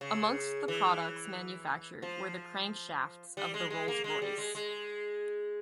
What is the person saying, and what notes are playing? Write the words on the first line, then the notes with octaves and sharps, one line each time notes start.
Amongst the products manufactured were the crankshafts of the Rolls Royce.
C#3
E3
F3
G3
G#3
G#3
A#3
G#3
G3
G#3
G#3